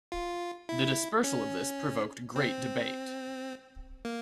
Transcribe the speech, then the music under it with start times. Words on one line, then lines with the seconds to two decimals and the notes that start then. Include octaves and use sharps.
The dispersal of this provoked great debate.
0.12 F4
0.69 E4
1.24 C#4
2.36 C4
4.05 A#3